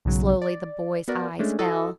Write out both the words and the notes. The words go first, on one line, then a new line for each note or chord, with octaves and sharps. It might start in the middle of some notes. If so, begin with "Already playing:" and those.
Slowly the boy's eyes fell.
B1 G#2 C#3 F#3
D5
B3 F#4 A#4 D5
G#3 A3 C#4 D4
E4 F#4 A4 D#5